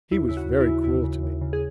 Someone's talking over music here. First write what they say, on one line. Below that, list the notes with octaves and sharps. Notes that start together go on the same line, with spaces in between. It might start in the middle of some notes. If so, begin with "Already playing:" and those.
He was very cruel to me.
D#2 E4
C#3 E4
F#4
D#2
E4
C#3
D#2 E4
C#3
D#2
C#3
G#4